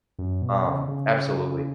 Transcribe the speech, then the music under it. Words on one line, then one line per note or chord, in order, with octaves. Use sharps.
um, absolutely.
F#2
B2
C#3
C#3